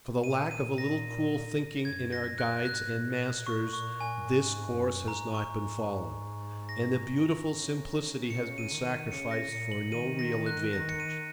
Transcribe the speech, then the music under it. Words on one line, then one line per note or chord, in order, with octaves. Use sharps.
For the lack of a little cool thinking in our guides and masters this course has not been followed, and a beautiful simplicity has been sacrificed for no real advantage.
A#2 D#7
D#7
A#6
F#2 G#6
A#6
F#6
G#2 F#6
A#2
A#2 C#6
C#6
G#5
G#2
F#2
G#2 A#5
C#6
G#2
A#6
C#3
C#3 C#7
D#7
D#3
D#7
C#3 C#7
A#6
A#2 C#7
F#7
D#3 D#7
A#6
F#6
D#3 A#6
C#7
D#7